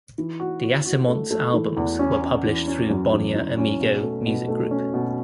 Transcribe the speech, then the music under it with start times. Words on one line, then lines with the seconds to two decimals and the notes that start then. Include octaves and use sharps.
Deasismont's albums were published through Bonnier Amigo Music Group.
0.18 E3
0.40 F#4
0.64 F#4
0.86 F#4
1.08 A3
1.31 A3
1.54 E3
1.77 E2
1.99 C#4
2.21 C#4
2.45 E3
2.67 C#4
2.91 F#2
3.13 E3
3.36 E3
3.57 C#4
3.81 B2
4.03 A3
4.26 B2
4.49 A3
4.71 C#4
4.94 B2